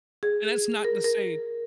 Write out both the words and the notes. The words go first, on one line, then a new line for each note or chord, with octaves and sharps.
and that's not to say
G#4
A#4
A#4